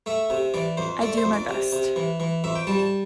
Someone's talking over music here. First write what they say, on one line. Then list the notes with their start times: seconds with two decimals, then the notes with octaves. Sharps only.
I do my best.
0.06 A3 E5
0.30 C3
0.54 E3 D5
0.77 F2 C5
1.01 A3 D5
1.17 C5
1.25 F2
1.33 D5
1.49 C3
1.73 C3
1.96 E3
2.20 E3
2.44 F2 E5
2.55 G5
2.67 G3 A5
2.79 A5